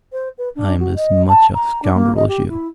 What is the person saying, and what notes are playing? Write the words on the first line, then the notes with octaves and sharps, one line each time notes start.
I am as much a scoundrel as you.
C5
B4
D4
F#4
D#5
A5
A#5
D4
A#3
D#5
G4
E4